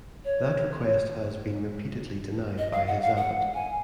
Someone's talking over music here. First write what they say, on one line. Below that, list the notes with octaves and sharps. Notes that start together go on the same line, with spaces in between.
That request had been repeatedly denied by his abbot.
C#5
D#5
F5
F#5
F5
F#5
G#5